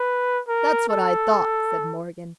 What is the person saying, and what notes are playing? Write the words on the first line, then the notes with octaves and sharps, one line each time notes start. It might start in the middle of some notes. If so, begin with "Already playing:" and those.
"That's what I thought," said Morgan.
Already playing: B4
A#4
A4